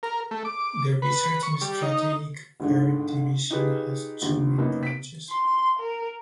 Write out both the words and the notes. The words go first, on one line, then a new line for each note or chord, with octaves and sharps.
The research in strategic fair division has two main branches.
A#4
A3
D6
B4
C#6
G3
D#4
G1 G#2 D3
D#4 F4 G4 G#4 B4
G1 D#2
F#2 A#3 B3 D#4
B6 D7
C6
A#4